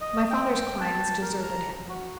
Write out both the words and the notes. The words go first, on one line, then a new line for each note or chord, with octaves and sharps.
My father's clients deserted him.
D#5
G5
A5
A#4
A#5
F#4